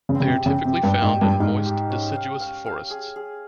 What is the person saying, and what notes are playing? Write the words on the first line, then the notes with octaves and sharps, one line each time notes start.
They are typically found in moist deciduous forests.
C#3
C4
C#3
C3
G4
C#3
C3 G4
G2
G4
G#2
G4
G2
G#2 F5
G4
C#4
F5
F5
F5
G#4
G#4